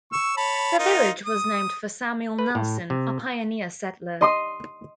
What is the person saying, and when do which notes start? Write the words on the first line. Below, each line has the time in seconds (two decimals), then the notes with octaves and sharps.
The village was named for Samuel Nelson, a pioneer settler.
0.13 C#6 E6
0.37 C#5 A5 B5
0.79 D#4 F4 A#4
1.26 D#6
2.39 B4
2.55 A2
2.90 C3
4.21 D#5 C6 D#6